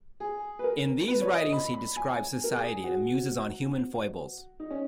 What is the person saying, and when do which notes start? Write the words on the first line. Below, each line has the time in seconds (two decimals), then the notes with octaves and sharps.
In these writings, he describes society and muses on human foibles.
0.20 G#4
0.59 B4
0.64 A#4
1.08 B4
1.21 C#5
1.30 D#5
1.52 B5
1.74 B5
1.96 G#5
2.44 A#4
2.54 G#4
2.84 F#4
4.60 D#4
4.70 C#4